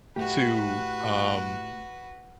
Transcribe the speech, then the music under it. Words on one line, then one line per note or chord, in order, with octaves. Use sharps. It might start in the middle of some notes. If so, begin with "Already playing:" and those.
to, um,
A2 F#4 G4 B4